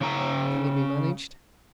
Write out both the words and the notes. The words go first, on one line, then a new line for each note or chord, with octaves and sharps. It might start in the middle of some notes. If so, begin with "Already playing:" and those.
"Can it be managed?"
C#3 C#4 A#5